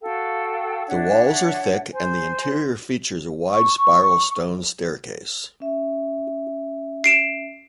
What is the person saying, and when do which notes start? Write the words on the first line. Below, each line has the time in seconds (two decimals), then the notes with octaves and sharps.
The walls are thick, and the interior features a wide spiral stone staircase.
0.01 F#4 A4 F5 G5
0.86 D4 C#5 E5 F#5
1.93 C5 G#5
3.49 C#6
5.60 C#4 E5
7.04 C7 D7 E7